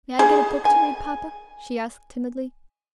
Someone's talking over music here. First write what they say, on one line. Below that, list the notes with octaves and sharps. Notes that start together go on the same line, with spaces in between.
"May I get a book to read, papa?" she asked timidly.
G#4
G#5